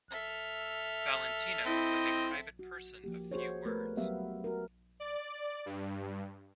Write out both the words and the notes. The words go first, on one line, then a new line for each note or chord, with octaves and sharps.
Valentino was a private person of few words.
A4 E5 F6
C4 E4 D#5
F#4
F3 A#3 G4
F#4 G#4 C5 C#5
A3 B3 A#4 B4
F#3 G3 B3 G4 E5 F5
F#4 A#4
D5
G2